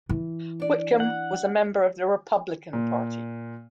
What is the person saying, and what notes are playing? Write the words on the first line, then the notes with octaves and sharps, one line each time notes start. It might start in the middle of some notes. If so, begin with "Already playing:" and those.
Whitcomb was a member of the Republican Party.
E3
D4 D5
F#5
A#2